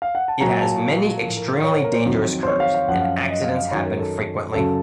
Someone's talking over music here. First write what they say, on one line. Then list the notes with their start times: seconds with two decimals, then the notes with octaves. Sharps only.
It has many extremely dangerous curves, and accidents happen frequently.
0.02 F5
0.15 F#5
0.28 A5
0.41 A#2 F#3 A#5
0.61 A5
1.23 A2 F3 A#4
1.37 A#4
1.51 A#4
1.64 C#5
1.75 C5
1.84 A#4
1.94 C5
2.05 F2 D#3 F#3
2.43 C5
2.48 C#5
2.60 F5
2.74 F5
2.88 F#2 F3 F#5
3.02 F5
3.16 F5
3.29 D#5
3.44 F5
3.57 F5
3.71 F#2 D#3 F#3 C#5
3.85 A#4
3.99 A4
4.53 F#2 C#3 F#3 A4